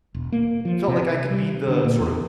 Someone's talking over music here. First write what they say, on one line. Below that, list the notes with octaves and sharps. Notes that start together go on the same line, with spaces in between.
felt like I could be the, sort of,
E1
A#3
F3
C3
C3
G3
D3
A#2
E2